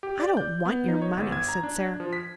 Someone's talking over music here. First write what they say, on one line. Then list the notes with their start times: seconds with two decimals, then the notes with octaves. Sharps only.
"I don't want your money," said Sara.
0.03 G4
0.20 D5
0.37 G6
0.65 B3
0.88 D#4
1.02 C#5
1.17 G1
1.32 G#6
1.49 A#5
1.63 D4
2.00 F3
2.13 B6